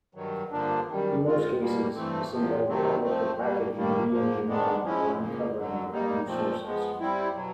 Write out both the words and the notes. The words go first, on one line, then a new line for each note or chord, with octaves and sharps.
In most cases, this involved product or packaging re-engineering, or uncovering of new sources.
G2 D#3 F#3
G2 D3 F3 A#3 D4
F#2 D#3 G3
G#3 C4 F4
B2 G3 A#3
G2 E3 A3 C4
E2 C3 F3
C3 D#3 F#3 A3 C4
F3 A3 C4
B2 G3 A#3
G2 D#3 G3 A#3
G#2 F3 A#3
G#2 D#3 G#3 B3 D4
F3 G#3 C#4 E4
C#3 F3 A#3
F#2 D3 F#3
G3 A#3 D#4
A#2 F3 A3 C4
F3 G#3 B3
G3 C4 E4
B2 F#3